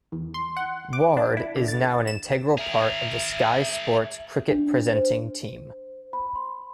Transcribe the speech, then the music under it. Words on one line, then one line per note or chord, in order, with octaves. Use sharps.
Ward is now an integral part of the Sky Sports cricket presenting team.
E2
C6
F#5
D6
D4
E4
D3
A6
E7
G#4 A#4 E5
D4
C5
B5
C6